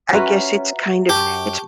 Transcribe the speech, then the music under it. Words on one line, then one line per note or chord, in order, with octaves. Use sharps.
I guess it's kind of, it's
C#4 F4 F#4 B4 E5 A#5
F#2 G4 A5 C#6